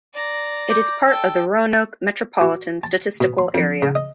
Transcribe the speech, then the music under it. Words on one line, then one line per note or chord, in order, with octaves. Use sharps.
It is part of the Roanoke Metropolitan Statistical Area.
D5 A#5
D6 G6
A4 G5 E6
F#4
A5
B2
C6
F2
C#3
D#5